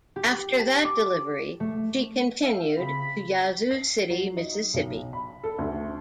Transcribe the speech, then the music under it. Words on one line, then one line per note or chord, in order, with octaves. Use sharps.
After that delivery, she continued to Yazoo City, Mississippi.
G4
A5
D6
A3
E5 F5 G5
C#3 C4 F4 G#4 B5
C7
F#3
D#4
B1
B5
A4
D2